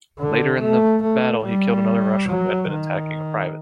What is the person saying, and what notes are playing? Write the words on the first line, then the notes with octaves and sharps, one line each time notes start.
Later in the battle he killed another Russian who had been attacking a private.
D3
A3
A3
G3
F#3
D#3